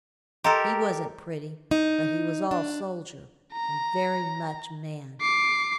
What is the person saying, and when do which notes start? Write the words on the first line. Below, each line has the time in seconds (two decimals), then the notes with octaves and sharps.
He wasn't pretty, but he was all soldier and very much man.'
0.44 G4 A4 A#4 D#5 A#5 C6
1.71 D#4
2.51 D4
3.52 A#5
5.21 D6 C7